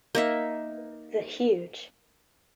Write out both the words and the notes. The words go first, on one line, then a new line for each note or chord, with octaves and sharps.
The huge.
A#3 D#4 E5